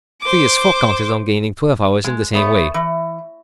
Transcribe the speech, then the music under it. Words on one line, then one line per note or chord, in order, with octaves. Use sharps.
Phileas Fogg counted on gaining twelve hours in the same way.
C5 D6
G#3
A3 B3 C#5
E3